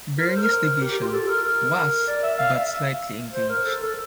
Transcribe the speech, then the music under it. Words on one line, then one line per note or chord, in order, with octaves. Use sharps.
Birney's Division was but slightly engaged.
A#4
C5
A#4
G4
G4
F4
G4
A4
A#4
A#4
D5
E5
F5
E5
C5
A#4
A4
A4